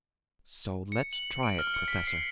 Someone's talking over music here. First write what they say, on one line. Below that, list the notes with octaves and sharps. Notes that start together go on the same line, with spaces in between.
"So let's try it, professor."
C#7
F#7
D7
F6
C#7
B6
C7